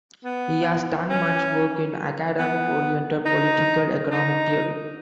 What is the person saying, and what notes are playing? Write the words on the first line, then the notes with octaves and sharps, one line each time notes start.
He has done much work in academic oriented political economic theory.
B3
C#4
B3
D#4
D#4